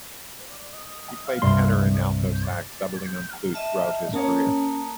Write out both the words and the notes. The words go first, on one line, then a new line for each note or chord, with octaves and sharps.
He played tenor and alto sax, doubling on flute throughout his career.
C2 G2 C6
D#5 E5 A5
A#3 C#4 C#5 A5 A#5 D#6